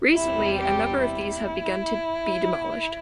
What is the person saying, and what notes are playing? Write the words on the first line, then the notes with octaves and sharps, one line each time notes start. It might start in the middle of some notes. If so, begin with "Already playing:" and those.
Recently, a number of these have begun to be demolished.
E2 C3 G3 E4
G4
E4